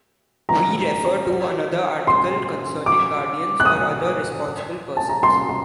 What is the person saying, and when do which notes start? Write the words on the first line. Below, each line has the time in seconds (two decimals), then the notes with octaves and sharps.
We refer to another article concerning guardians or other responsible persons.
0.49 A#5
2.07 C6
2.86 D6
3.60 F#6
3.65 D#6
4.97 A5
5.09 A#5
5.23 C6
5.49 C6